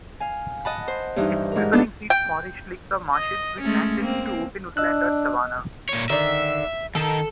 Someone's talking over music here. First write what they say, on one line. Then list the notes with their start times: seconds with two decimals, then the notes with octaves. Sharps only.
Its preference is forest lakes or marshes with access to open woodland or savanna.
0.20 F5 G#5
0.65 D#5 F#5 A5 B5
0.88 C5
1.16 G2 E3 D#4
1.52 G#2 A#4
1.72 A#3 B3 D4 D#4 F4 A4
2.10 G5
3.14 D#5
3.62 G#3 A3 C#4
4.01 A#3 C4
4.77 D4 D#5 E6 F#6
5.89 A#2 C#5
6.10 D3 D#3 E5
6.95 D#3 A4